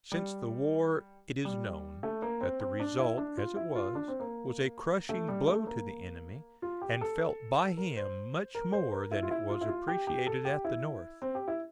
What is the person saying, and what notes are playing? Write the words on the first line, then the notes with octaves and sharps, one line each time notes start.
Since the war it is known that the result, as it was, was a crushing blow to the enemy, and felt by him much more than it was appreciated at the North.
G3
G3
A3
A#3
C4
C4
D4
E4
D4
F4
E4
F4
D4
C4
A#3
A3
G3
A3
A#3
F4
G4
A4
A#4
C5
A#4
C5
A#4
E4
F4
E4
F4
E4
F4
G4
G4
A4
G4
E4
C4
G4
E4